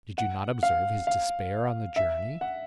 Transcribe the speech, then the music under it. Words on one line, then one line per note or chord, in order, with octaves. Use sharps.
Did you not observe his despair on the journey?
F#5
F5
F5
E5
F#5